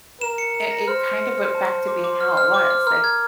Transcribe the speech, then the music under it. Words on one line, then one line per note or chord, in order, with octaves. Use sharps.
it it kind of went back to being how it was, like,
A#4 E7
C#7
E7
A#6
C5 F6
F6
C#7
F6
A5
A5
D6
D6
F6
F6
D6
F6
A#4 F6
G#6